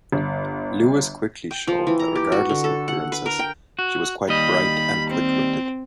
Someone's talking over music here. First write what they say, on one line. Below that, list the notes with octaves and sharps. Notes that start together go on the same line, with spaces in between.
Lewis quickly showed that regardless of appearances, she was quite bright and quick-witted.
G1
G5
F3
E3
A#5
G4
F#4
D3
A4
F#5
B4
A#4
G5
F#4
D#2 G3 D#5 B5
C4